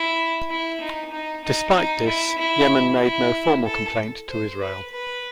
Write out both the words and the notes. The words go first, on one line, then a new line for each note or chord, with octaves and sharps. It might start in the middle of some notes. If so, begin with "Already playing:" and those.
Despite this, Yemen made no formal complaint to Israel.
Already playing: E4
E4
D#4
D#4
D#4
D#4
E4
E4
E4
A4
C5
B4
B4